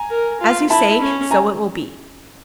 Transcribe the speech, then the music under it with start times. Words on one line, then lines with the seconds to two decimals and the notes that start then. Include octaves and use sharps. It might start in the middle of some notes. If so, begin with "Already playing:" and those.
As you say, so it will be.
Already playing: G#5 A#5
0.10 A#4
0.40 F4
0.70 E4 A5 B5
1.01 C#4
1.31 G#5 A#5